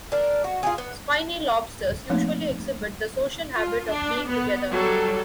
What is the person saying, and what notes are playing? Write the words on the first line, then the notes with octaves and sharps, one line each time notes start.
Spiny lobsters usually exhibit the social habit of being together.
D4 A#4
F#4
F4 G4 G#4
B3
F3 A3 A#3 C4 D#4
F4
D4
B3
F#3 G3 A4